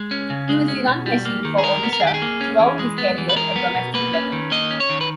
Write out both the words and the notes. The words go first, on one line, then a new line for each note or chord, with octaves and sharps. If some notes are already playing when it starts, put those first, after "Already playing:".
He was the run machine for Odisha throughout his career at domestic level.
Already playing: G#3
C#4
C#3
G#3
C#4
B2
G3
A#3
D#3
G#4
G#3 A#4
B3
A#4
G#4
D#3 G4
G#4
A#3
C#4
E3
G#3
B3
E3
B4
G#3 A#4
B3
B2
A#3 B4
C#4
D#3
A#3 D#5
C#4
C#5
D#3
B4